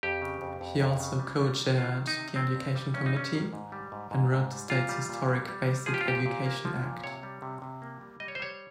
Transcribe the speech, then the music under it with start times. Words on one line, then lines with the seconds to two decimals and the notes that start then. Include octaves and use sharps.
He also co-chaired the Education Committee and wrote the state's historic Basic Education Act.
0.03 F2 G4
0.22 C#3
0.42 F2
0.61 F2
0.80 F2
1.00 C#3
1.19 G3
1.39 G3
1.58 D#3
1.78 D#3 F4
1.97 D#3
2.07 D#4
2.17 C3
2.36 D#3 C4
2.55 G2
2.75 G3
2.94 G2 C#4
3.06 D#4
3.15 G3 C#4
3.34 D#3
3.53 G#2
3.72 G3
3.92 G#2
4.11 G#2
4.32 G#2
4.51 G3
4.70 A#2 F4
4.89 G3
5.09 A#2
5.29 G3
5.48 G3
5.67 G3
5.86 F3 G#4
5.94 G4
6.01 F4
6.06 A#2 G4
6.26 A#2
6.46 A#3
6.65 F3
6.84 A#2
7.04 C3 C#5
7.23 G3
7.42 C3
7.62 C3
7.82 A#3
8.01 G3
8.20 G3 D#5
8.28 C#5
8.35 C5
8.40 G3 C#5